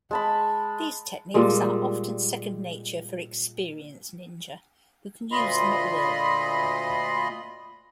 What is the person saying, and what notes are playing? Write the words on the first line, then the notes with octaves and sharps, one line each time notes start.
These techniques are often second-nature for experienced ninja, who can use them at will.
G#3 A5 B5
A#2 G3 G#3
D2 A#2 F4 D#5 B5 C6